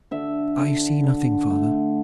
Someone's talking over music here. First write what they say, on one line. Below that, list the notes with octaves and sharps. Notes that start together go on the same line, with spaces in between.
"I see nothing, father."
D3 E5
D3
D3
A3